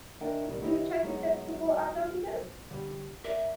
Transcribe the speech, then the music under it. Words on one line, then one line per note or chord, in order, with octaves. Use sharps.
Do you check your clips before uploading them?
D#3 D4 A#4 E5 G5 G#5
C3 D#3 G3 C4
D#3 E4 G4 B4 C#5 D#5
F#3 G#3 B3 D#4 F#4 C#5
D3 G3
A#4 D5 E5